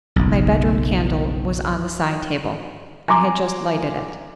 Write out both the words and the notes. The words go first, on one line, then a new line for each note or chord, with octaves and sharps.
My bedroom candle was on the side-table; I had just lighted it.
F#1 B1
G#5 A#5 C6 D6